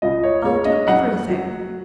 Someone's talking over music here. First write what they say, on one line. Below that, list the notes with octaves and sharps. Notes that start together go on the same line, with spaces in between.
I'll do everything.
C#2 D#5
C#5
G#3 C#5
D#5
F#2 F#5
F#3